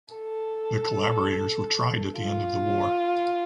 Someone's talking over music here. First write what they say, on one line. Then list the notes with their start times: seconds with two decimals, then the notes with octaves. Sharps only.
The collaborators were tried at the end of the war.
0.14 A4
2.18 F4